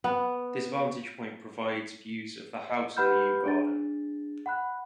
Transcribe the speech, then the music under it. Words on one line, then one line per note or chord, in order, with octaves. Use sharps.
This vantage point provides views of the house and the Yew Garden.
B3
D#5
G4 B4 F#5 B5 F6 G6
D4 G#4 A6
F#5 B5 F#6